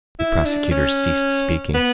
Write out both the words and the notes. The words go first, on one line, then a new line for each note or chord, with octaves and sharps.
The prosecutor ceased speaking.
E4
D4
C#4
B3